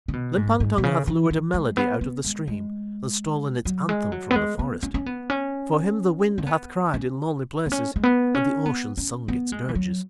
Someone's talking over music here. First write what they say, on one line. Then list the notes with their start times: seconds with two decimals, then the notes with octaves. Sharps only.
Limpang-Tung hath lured a melody out of the stream and stolen its anthem from the forest; for him the wind hath cried in lonely places and the ocean sung its dirges.
0.08 C#3
0.13 B2
0.37 G#2
0.60 G#2
0.78 B2
0.83 C#3
1.07 E3
1.31 E3
1.54 G#3
1.77 B3
2.01 B3
2.24 G#3
2.48 G#3
3.65 F#3
3.89 G#3
4.12 F#3
4.31 B3
4.36 G#3
4.59 B3
4.83 C#4
4.94 C#4
5.06 B3
5.30 C#4
6.38 C#4
6.47 B3
6.94 C#4
7.66 B3
7.72 C#4
7.96 G#3
8.03 B3
8.35 C#4
8.66 B3
8.97 C#4
9.28 B3
9.52 G#3
9.69 E3
9.75 F#3